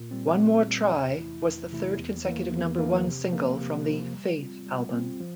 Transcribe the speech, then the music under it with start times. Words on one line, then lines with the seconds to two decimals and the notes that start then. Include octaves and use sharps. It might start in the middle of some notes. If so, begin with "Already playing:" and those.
"One More Try" was the third consecutive number one single from the "Faith" album.
Already playing: A#2
0.11 G3 C4
0.38 A#2
0.65 G3 C4
0.92 E2
1.19 C3 E3 A3 E4
1.45 E2
1.72 C3 E3 A3 E4
1.99 E2
2.25 E3 A#3
2.52 E2
2.78 E3 A#3
3.06 C3
3.32 F3 A#3
3.60 C3
3.85 F3 A#3
4.13 G3
4.39 C4 F4
4.66 G3
4.93 C4 F4
5.20 F3